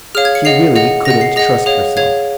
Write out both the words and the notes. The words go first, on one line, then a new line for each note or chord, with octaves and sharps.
She really couldn't trust herself.
G#4 C#5 F5 F6
G#6
C#7
G#4 D#5 F#5 C7
G#4 D#5 F#5
G#4 D#5 F#5 A#6
C7
G#4 D#5 F#5 A#6
G#4 C#5 F5
G#4 C#5 F5 G#6